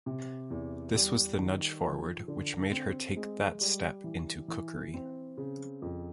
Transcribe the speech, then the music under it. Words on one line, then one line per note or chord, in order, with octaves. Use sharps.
This was the nudge forward which made her take that step into cookery.
C3
E2
G3
D#3
F3
D3
C4
G#3
G3
E3
E3
C4
C#3
F2